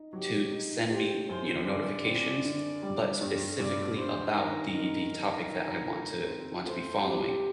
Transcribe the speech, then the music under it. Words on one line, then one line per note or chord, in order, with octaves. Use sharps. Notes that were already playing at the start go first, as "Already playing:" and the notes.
to send me, you know, notifications, but specifically about the the topic that I want to want to be following,
Already playing: D#4
F#3 G4
D#4
G4 C5
F#2 C5
D3 D5
C4
D3
G3
G2
G2 D5
D4 C5
D#3 A#4
D#4 A#4
D#4
D#3
A3
C4
A3 C5
C4 G4